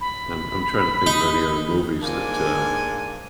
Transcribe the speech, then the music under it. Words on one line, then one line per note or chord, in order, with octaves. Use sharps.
I'm I'm tryna think of any other movies that, uh,
B5
D#4
G#2 A#3 D4 G#5